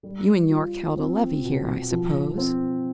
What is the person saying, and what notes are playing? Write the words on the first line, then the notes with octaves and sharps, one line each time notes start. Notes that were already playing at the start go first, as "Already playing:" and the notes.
You and Yorke held a levee here, I suppose?
G3
F4
C4
B2
F3
C4